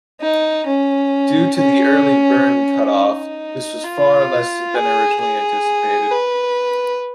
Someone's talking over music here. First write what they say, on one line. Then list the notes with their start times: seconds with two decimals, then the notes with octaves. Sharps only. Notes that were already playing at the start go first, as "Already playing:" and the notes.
Due to the early burn cutoff, this was far less than originally anticipated.
0.21 D#4
0.66 C#4
1.56 C#4
2.93 D#4
3.84 F4
4.75 G#4
5.20 G#4
6.11 B4